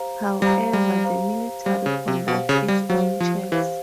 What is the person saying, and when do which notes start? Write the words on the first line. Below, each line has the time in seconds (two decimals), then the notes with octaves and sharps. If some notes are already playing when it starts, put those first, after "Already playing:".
However, the military conducts its own checks.
Already playing: G4 C5 F5 A#5
0.42 G3 G4 C5 F5 A#5
0.73 G3
1.04 G4 C5 F5 A#5
1.65 G3 G4 C5 F5
1.86 C#3
2.08 C3
2.28 B2 G4 C5 F5
2.49 C#3
2.68 G3
2.89 F#3 G4 C5 F5
3.20 F3
3.52 E3 G4 C5 F5